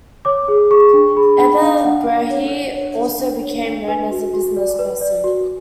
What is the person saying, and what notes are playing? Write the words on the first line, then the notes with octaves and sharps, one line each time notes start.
Ebba Brahe also became known as a business person.
C#5 D6
G#4
G#4 C#6
D4
G#4 B5
D4 B5
D4 F5
D4 F#5
D4
C#5
D4
C#5
D4
D4
C#5
D4
B4 G#5
F#4
F#4
D5
B4
D5
F#4